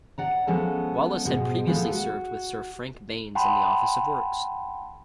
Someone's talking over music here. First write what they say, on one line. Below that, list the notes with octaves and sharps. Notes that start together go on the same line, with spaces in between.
Wallis had previously served with Sir Frank Baines in the Office of Works.
D5 F#5 A#5
F3 G#3 B3 C#4 A4 A5
G#2 B2 F3 G#3
F3 G#3 B3 E4 A4
F#4
F#5 G5 A5 B5 C6